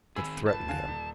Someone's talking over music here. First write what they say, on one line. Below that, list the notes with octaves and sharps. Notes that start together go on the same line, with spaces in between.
It threatened him.
D#3 C4 G#4 G#5 B5 E6
G1 B4 A5
D3 F5 G#5
D#1